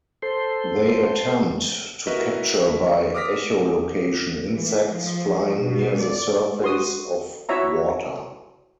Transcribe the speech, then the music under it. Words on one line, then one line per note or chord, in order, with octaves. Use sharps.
They attempt to capture by echolocation insects flying near the surface of water.
A4 C5 C6
E4 F#4 A#4 B4 D#5 E5
D6 D#6 F6 A#6 B6
E3
F3
B2
D5
F#4 C6 D#6
E4 F#4 C#5 E5 A#5